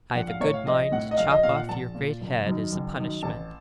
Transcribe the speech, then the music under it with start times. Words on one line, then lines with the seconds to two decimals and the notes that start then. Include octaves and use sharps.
I've a good mind to chop off your great head as a punishment.'
0.15 A#1 F#5
0.28 F5
0.40 A2 C#5
0.54 F5
0.66 A#1 D#5
0.92 A2 F#5
1.11 D#5
1.17 A#1 F5
1.31 D#5
1.43 A#2 F5
1.56 F#5
1.69 A#1 A5
1.95 A#2
2.21 F#1
2.46 F#2 D#3
2.72 F#1
2.97 F#2 D#3
3.23 A1 A5